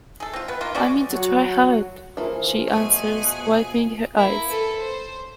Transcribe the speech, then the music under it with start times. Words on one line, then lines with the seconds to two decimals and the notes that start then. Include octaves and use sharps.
"I mean to try hard," she answers, wiping her eyes.
0.20 G#4 A4
0.33 C4 F4
0.48 B3 B4
0.61 D#3 A#3 F4
0.75 C#4 F#4 G#4 D5
1.07 F#3 F#4
2.17 E3 F3 A#3 G#4
2.68 B2 A3 G#4 G#5 C#6
4.14 A#3 E4
4.47 A4 B4
4.78 C5